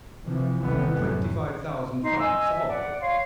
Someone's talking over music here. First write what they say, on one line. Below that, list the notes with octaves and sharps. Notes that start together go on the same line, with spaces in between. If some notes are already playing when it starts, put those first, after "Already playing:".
"Twenty-five thousand francs a bottle."
C3 E3 F3
A1 D#2 C3 E3 G3 B3
F#2
D#4 C6
D#5 G#5 E6
E5
D5 F#5
C#5 F5 C6